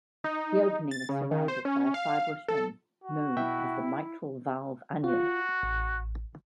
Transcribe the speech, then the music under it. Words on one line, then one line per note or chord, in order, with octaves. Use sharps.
The opening is surrounded by a fibrous ring known as the "mitral valve annulus".
D#4
A6
C#3
D#3
C5
C#4
F5
A4
F#4
B2 E4 E5 G5
F4 F#4
A1